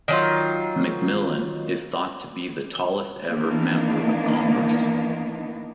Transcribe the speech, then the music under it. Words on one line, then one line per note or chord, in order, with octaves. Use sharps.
McMillen is thought to be the tallest-ever member of Congress.
D#3 F#3 F4
D#3 E3 A#3 B3 D4 D#4